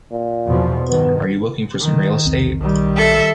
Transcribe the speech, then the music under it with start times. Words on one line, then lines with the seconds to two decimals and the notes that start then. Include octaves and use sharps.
Are you looking for some real estate.
0.11 A#2
0.48 E2 B2 F3
0.89 G2 D#3 B3
1.80 D#3
2.25 B1 E2 C4
2.60 B1 D#3 G3
2.97 A4 E5